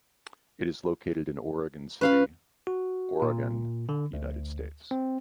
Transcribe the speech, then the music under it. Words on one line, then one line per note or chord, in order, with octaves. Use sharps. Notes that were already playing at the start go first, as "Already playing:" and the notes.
It is located in Oregon City, Oregon, United States.
C#4 B4 F5 B5
F#4
A#2
D3
D2
C4